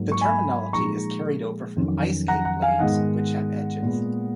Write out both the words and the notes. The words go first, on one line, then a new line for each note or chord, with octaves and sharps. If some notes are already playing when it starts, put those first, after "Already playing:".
The terminology is carried over from ice skate blades, which have edges.
Already playing: G#2 F#3 A#3
C#6
G#5 B5
A#2 F3 G#3 D#4 A#5 C#6
F2 D#3 F#3 C#4
F#5 A#5
F#5 A#5
F5 G#5
G#2 D#3 G#3 B3 D#4 D#5 F#5
A#2 G#3 B3